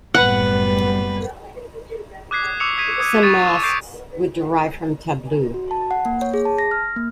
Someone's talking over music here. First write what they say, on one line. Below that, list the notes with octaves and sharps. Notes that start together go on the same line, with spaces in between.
Some masques would derive from tableau.
F#1 A2 G3 B3 B4 F#5
D6 D#6 F#6 G#6 B6 C7
C#6 D6 E6 C#7 F7
D#6 G#6 B6 D#7
D#6 G#6
C#6 D#6 A6 C#7 D#7 E7
C#6 D6 G6 A6 C7 D7
F#4
A5
F#5
A#3
C#5
G#4
A5
A#6
F6
A#3